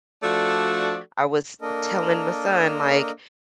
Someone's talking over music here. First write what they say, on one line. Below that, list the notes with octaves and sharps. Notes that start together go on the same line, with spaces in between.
I was telling my son, like
F3 A3 D4 F#4 A4 D5
A#3 D4 A4 A#4 D#5